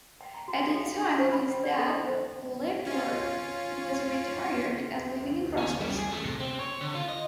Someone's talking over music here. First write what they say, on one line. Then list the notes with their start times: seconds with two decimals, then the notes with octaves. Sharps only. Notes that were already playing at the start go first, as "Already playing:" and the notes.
At the time of his death LeClerc was retired, and living in Brussels.
0.21 G5
0.34 A#5
0.48 F#4
0.68 A4
0.83 F5
1.02 C#6
1.19 C5
1.32 B5
1.49 G5
1.64 D5
1.79 A4
2.06 C5
2.87 C#4 F4
5.58 C#4
5.81 G3
5.97 G#4
6.11 A3
6.24 C3
6.40 C4
6.59 C#5
6.81 D3
6.95 F4
7.09 D#5